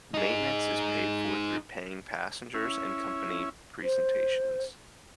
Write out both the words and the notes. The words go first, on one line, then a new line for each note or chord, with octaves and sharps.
Maintenance is paid for through paying passengers and company presentations.
D#4 G#4
C#4 E4
C5